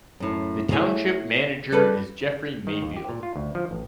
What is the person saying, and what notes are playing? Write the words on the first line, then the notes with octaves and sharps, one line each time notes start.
The Township Manager is Jeffrey Mayfield.
F#2 A2
A3 E4 G#4 C#5 G#5
G3 A4 B4
D#3
D#2
G4
A#2
F4
D2
F3
A1